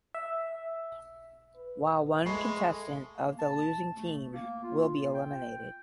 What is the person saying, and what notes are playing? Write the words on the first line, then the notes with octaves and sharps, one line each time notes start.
While one contestant of the losing team will be eliminated.
E5
B4
G#3 A3 B5 C#6 C7
A#3
A5
A3
A#3
F4
G5